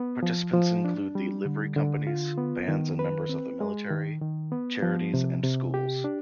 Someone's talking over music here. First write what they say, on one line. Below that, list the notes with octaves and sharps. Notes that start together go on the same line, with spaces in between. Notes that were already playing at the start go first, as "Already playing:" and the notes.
Participants include the livery companies, bands and members of the military, charities and schools.
Already playing: B3
F3
F3
D4
G3
D3
D3
F4
B3
D#3
B4
C4
G#3
D#3
D#3
B3
F3
C3
C3
G4
D4